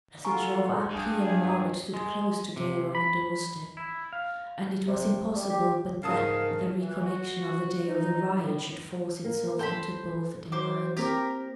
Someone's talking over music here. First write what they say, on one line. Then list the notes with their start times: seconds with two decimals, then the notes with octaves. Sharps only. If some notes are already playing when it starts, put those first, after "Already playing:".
As it drove up, he and Margaret stood close together on the door-step, and it was impossible but that the recollection of the day of the riot should force itself into both their minds.
0.25 F4 F#4 A4 F#5 G#5 A#5 C#6
0.90 G2 G#4 D#5
1.94 G#3
2.56 C3
2.95 B5
3.77 E4
4.13 F5
4.87 C3
5.35 G3
5.49 G4
6.03 G#2 C#3 A#4 F5 A5 D#6
6.81 E3
7.04 F#4
7.87 D#4
8.38 A2
9.24 A#3
9.59 A4 C5 A5 B5
10.52 F#3 C5 D6
10.97 A#3 C4 E4 G4 A#4